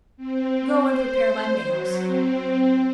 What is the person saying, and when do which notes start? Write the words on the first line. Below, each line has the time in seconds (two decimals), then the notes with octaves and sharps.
"Go and prepare my mails."
0.17 C4
0.83 C5
1.61 F#3
2.06 C4